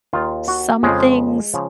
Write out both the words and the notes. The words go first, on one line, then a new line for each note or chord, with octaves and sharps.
some things
D#2 D#3 F4
F#4
F2 C#3 F3 G#3
C#3 F3